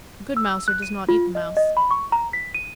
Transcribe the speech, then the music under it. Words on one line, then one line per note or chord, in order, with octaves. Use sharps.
A good mouser does not eat the mouse.
E6
F#6
D#7
F4
D#5
D#5
B5
C#6
A#5
B6
D#7